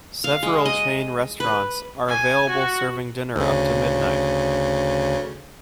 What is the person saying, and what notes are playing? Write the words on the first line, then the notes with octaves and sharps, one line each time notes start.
Several chain restaurants are available serving dinner up to midnight.
F5
G#3
D#5
B4
G#5
F#4
D2 C#3